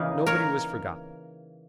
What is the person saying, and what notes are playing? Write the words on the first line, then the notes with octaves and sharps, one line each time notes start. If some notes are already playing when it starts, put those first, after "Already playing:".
Nobody was forgotten.
Already playing: C#3 E3 A#3 D#4
A#4 C#5